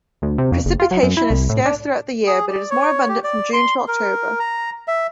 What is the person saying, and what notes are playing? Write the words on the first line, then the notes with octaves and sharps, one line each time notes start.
Precipitation is scarce throughout the year but is more abundant from June to October.
D2
C3
F2
F#1
F4
F#3
F#2
E4
C2
A2
D4
G#4
D5
C#5
G4
D5
C6
A#4
A#5
E5